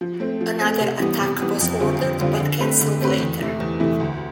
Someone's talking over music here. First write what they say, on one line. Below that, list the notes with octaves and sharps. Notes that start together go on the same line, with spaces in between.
Another attack was ordered but cancelled later.
F3
A3 C4
F3
A3 C4
C3
E3 G3 B3
C3
E3 G3 B3
F2
D3 G3 C4 F4
F2
D3 G3 C4 F4
D3
A3 C4 G4 B4
D3
A3 C4 G4 B4
E2
C3 E3 A3 E4
E2
C3 E3 A3 E4
D2